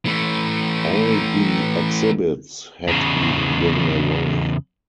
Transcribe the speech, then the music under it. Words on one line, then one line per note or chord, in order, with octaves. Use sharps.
All the exhibits had been given away.
E3 A3
E2 C#3